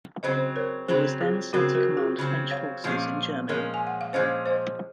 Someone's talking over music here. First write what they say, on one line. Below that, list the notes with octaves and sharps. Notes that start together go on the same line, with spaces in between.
He was then sent to command French forces in Germany.
C#3 F#3 C4 C5 D#5
A#4 C#5
C#3 F#3 C4 G#4 C5
F4 G#4
C#3 F#3 C4 F#4 A#4
F#4 A#4
F4 G#4
C#3 F#3 C4
C#5 F5
A#2 F3 G#3 C#4
A#2 F3 G#3 C#4 A#4 C#5
G#5
F#5
F5
A#2 F3 G#3 C#4 C5 D#5
C5 D#5